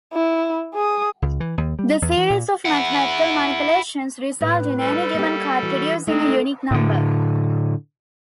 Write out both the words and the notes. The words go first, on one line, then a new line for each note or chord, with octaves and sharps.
The series of mathematical manipulations results in any given card producing a unique number.
E4
G#4 D#6
C#2
E3
D#2
G3
E2
E3
A#2
E4 F#5
A2 B4
G3 A4
A#3 G4
E3 F#4
G#3 A3 C4 D#4
A2 D3